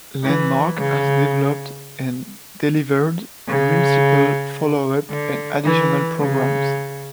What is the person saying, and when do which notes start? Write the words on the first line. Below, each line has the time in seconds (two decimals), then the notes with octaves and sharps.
Landmark has developed and delivered multiple follow-up and additional programs.
0.23 E3
0.78 C#3
3.48 C#3
5.10 D3
5.65 E3
6.19 C#3